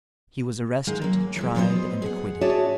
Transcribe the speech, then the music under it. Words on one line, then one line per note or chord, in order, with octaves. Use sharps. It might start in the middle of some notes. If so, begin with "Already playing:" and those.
He was arrested, tried, and acquitted.
D#3 G#3 F5 F#5
F#3 A#3
E3 F3 G#3
A#2 F#3 B3 C5 D#5
G#4 F#5
D4 F#4 G#4 C#5 E5 A5